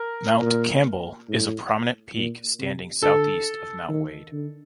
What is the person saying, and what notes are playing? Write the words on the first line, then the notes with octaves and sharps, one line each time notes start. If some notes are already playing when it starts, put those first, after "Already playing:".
Mount Campbell is a prominent peak standing southeast of Mount Wade.
Already playing: A#4
A#2
A2
A#2
C3
D3 A4
D#3
D3